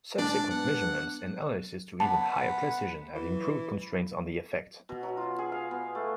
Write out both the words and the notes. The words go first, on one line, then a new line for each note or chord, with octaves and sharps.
Subsequent measurements and analysis to even higher precision have improved constraints on the effect.
G#2 D4 D5 A5
B3 F#5
B3 A5
E3
B2
F#3
F4
G#4
F5
B3
A3